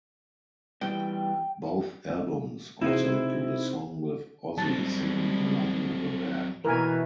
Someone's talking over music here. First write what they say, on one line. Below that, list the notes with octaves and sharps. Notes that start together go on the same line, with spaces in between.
Both albums also include a song with Ozzy singing along with a band.
E3 G3 B3 G5
C3 C4 D#4 E4 F#4 G#4 C5
F#3 G3 C4 A5
B2 E3 A#4 G#5